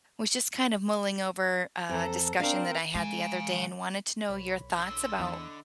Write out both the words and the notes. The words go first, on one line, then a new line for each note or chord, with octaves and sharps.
was just kind of mulling over a discussion that I had the other day and wanted to know your thoughts about,
F2 A4 A#5
C4 D4 A#4 F5
E3 G#3 F5 G#5
B1 C#5 B5
D3 C6 E6
E2 D#5 B5